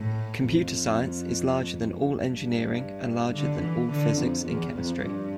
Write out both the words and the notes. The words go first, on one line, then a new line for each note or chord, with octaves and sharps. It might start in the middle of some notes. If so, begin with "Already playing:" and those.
Computer science is larger than all engineering, and larger than all physics and chemistry.
Already playing: A2
F2
G2
D3
E3
D3
F2
E2
F2
G2